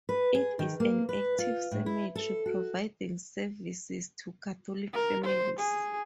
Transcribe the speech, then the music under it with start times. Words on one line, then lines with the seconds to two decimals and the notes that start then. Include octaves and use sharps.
It is an active cemetery providing services to Catholic families.
0.09 B4
0.35 G#4
0.59 D#3
0.80 A#3
1.09 B4
1.38 F4
1.71 A2
1.86 E4
2.15 A4
2.46 F#4
4.94 A#4
5.24 C5
5.58 G#4